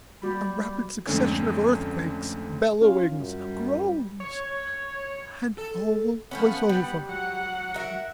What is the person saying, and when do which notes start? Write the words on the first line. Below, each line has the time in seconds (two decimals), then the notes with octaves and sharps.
A rapid succession of earthquakes--bellowings--groans,--and all was over.
0.22 G3 A#3 F#4 B5
1.07 F2 G#2 D3 A3 C#4
2.81 C#4 F4 F5
3.17 F#2 G3
4.20 C#5
5.58 A4
6.31 F3 A3 B3 C#4 F#5
6.69 G3
7.09 F#3 F#5
7.74 A#4 E5